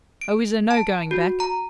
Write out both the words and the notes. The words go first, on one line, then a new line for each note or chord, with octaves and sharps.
Oh, is there no going back?'
D7
A5
F#4
A#5